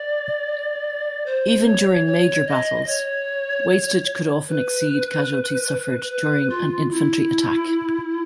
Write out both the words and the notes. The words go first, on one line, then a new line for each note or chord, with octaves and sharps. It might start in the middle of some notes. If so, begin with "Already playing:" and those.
Even during major battles, wastage could often exceed casualties suffered during an infantry attack.
Already playing: D5
C5
C#5
C#5
D#5
C#5
B4
B4
F4
E4